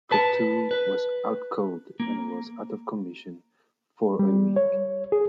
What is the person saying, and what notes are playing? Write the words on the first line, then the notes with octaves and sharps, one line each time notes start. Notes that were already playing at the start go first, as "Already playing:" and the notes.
Coutu was out cold and was out of commission for a week.
B4 A5
B4
A#3
G3
C#5
G#4